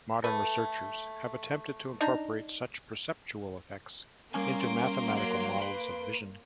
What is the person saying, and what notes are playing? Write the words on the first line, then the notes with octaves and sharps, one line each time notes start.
Modern researchers have attempted to incorporate such perceptual effects into mathematical models of vision.
A3 B4
D4 D#4 A#5
G3 A#3 C#4 G#5 C6 D7
F#3
B4